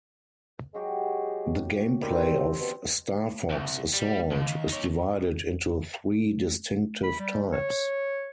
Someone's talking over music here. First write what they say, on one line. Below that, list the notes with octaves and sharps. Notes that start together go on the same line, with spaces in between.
The gameplay of "Star Fox: Assault" is divided into three distinctive types.
F#3 G#3 F#4 G4
D#3 G3 C4 D4
B2
C2
G3
D#2
D#4 C#5
B5
G3
C#5